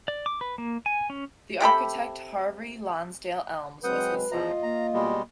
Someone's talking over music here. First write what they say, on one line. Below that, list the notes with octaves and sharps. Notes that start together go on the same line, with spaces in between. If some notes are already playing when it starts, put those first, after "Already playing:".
The architect Harvey Lonsdale Elmes was his son.
D5
D6
B4
A#3
G#5
C#4
C3 G4 A4 B5
F#3 G#3 C4 B4 F#5 D#6 G6
E2 F3 F4 D#5 A#5
A#3 A#5
B2 G3 G#3